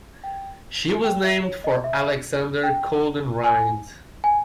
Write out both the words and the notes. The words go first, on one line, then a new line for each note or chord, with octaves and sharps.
She was named for Alexander Colden Rhind.
G5
G5
E5
C#5
D#5
E5
G5
G#5
G#5